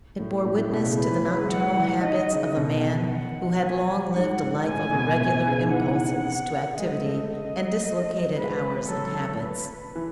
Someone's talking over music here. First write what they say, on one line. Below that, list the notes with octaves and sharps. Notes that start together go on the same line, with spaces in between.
It bore witness to the nocturnal habits of a man who had long lived a life of irregular impulses to activity and dislocated hours and habits.
A2
A2
A2
B2
C#3
E3 B4
E3
F#3
G#3
F#3 F#5
E3
D#3 D#5
C#3
B2
F#5
G#5
G#2 F#5
A2 G#5
B2
A2
B2
C#3
D#3
E3 F#5
G#3 D#5
A3
D#5
G#3 B4
F#3 A4
B4
E3